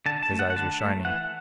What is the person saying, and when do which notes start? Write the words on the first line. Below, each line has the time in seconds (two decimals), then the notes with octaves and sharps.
His eyes were shining.
0.06 D3 A5
0.23 A5
0.31 A3
0.39 F#5
0.50 F#5
0.56 D3 A5
0.81 A3
1.05 E3 F#5